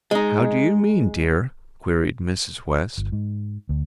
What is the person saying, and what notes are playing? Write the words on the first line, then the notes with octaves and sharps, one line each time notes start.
"How do you mean, dear?" queried Mrs. West.
G#3 D#4
G1
G#2
D2